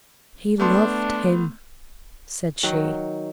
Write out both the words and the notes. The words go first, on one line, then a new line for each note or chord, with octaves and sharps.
'He loved him,' said she.
A3 B3 D4 C6
D#3 F#3 F#5